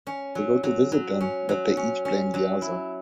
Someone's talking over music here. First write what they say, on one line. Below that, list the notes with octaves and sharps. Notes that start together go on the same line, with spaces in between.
They go to visit them, but they each blame the other.
C#4
F#3
F#3
F#3
C#4
F#3
C#4
C#4
F#3
E4